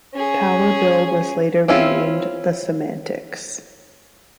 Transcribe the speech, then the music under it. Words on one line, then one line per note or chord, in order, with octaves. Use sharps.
Power Bill was later renamed The Semantics.
C#4 G#4
C4 C#4 E4 F4